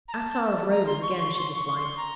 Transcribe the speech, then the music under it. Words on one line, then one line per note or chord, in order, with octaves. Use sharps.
Attar of roses, again, she disliked.
A#5
A5
A#5
C6
C#6
C6
C#6
C6
C#6
C6
A#5